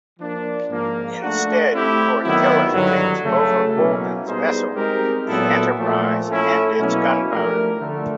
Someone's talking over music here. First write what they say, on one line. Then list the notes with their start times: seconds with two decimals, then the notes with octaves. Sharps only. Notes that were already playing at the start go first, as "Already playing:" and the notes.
Instead, Cortilla takes over Holden's vessel, the "Enterprise", and its gunpowder.
0.19 F3 A#3 D4
0.69 G#2 F3 A#3
1.21 A3 D4 F#4
1.71 A3 C4 E4 G4
2.22 D#3 F#3 B3 E4
2.72 G2 D3 F#3
3.24 C#3 F#3 A3
3.74 B2 F#3 A#3 C#4 E4
4.25 G3 B3 D#4 G#4 C5
4.75 G#3 C4 D#4 G4 A#4
5.26 A#2 F#3 B3 E4 A4
5.76 A#2 F3 A3
6.27 A3 C#4 E4
6.77 B2 F#3 A#3 C#4 E4
7.28 F3 A3 D4 G4 A#4
7.79 D3 F3 A3